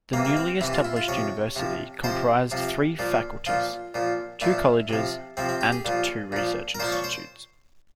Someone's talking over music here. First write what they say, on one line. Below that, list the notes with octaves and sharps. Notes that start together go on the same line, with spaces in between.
The newly established university comprised three faculties, two colleges, and two research institutes.
C3 E3 A#3
A#3
C4
C3 E3 E4
F4
E4
F4
C3 F3 C#5
C3 F3
C3 F3 C5
C3 F3
A#2 F3
A#2 F3 F4
A#2 F3
A#2 F3 E4
C3 F3
C3 F3 C4
C4
G4
G#4
A#2 F3
A#2 F3
A#4
A#2 F3 C5
C#5
C5